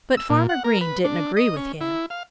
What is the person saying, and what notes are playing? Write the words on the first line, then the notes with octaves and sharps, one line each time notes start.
But Farmer Green didn't agree with him.
E6
A#2
F#5
A#4
B4
D4
D#5
C#4
E4
F5